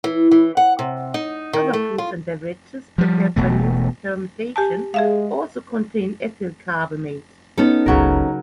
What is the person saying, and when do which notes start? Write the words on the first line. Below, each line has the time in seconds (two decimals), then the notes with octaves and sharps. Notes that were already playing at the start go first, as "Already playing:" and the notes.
Other foods and beverages prepared by means of fermentation also contain ethyl carbamate.
0.04 E3
0.31 E3
0.57 F#5
0.79 C3
1.14 D#4
1.53 D#3
1.73 A3
1.98 F4
2.98 F3 G3
3.36 E1 B2 A3
4.56 G4 G#5 A5
4.94 G#3 G#4 E5 F5
7.58 B3 C#4 D#4 A4
7.86 G1 C#2 C#3 F#3 A#4